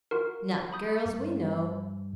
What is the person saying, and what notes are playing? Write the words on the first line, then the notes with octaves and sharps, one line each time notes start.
"Not girls we know."
F4 F#4 A#4
B5 D#6 G6
G2